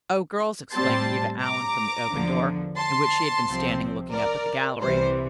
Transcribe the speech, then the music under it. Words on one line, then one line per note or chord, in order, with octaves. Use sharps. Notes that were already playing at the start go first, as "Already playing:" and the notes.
"O girls!" exclaimed Eva Allen from the open door, in which she had been standing looking up at the gallery.
A2 G3 C4 A5 C6
A#5 D6
E2 D3 F3
A5 C6
C2 C3 F3 C4
A#4 D5
C2 C3 E3 G3 C5